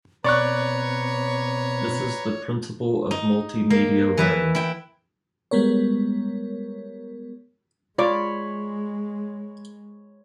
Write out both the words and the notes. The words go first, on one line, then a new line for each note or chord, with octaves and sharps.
This is the principle of multimedia learning.
B2 C4 B4 C#5 D5 A#5 C#6 F#6
D#4
A#3
E3 B4 E5
E4 G5
G3 G#3 B3 A#4 C#5
G#3 F4 C#5 D5 B5 C6 D6